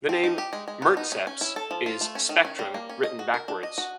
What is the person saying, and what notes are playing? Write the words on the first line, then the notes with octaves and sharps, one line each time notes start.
The name 'murtceps' is 'spectrum' written backwards.
C4
D#4
G4
G#3
G#3
B3
D#4
C#4
C#4
E4
A4
F3
F4
A3
C#4
D#3
C#4
G3
A#3
C#4
D#5
F#4
A#4
D4
D#5
F#4